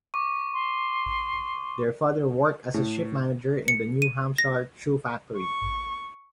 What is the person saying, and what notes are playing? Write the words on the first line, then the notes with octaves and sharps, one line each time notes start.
Their father worked as a shift manager in a New Hampshire shoe factory.
C#6 D6
C6
A2
C#7
D#7
A#6
C#6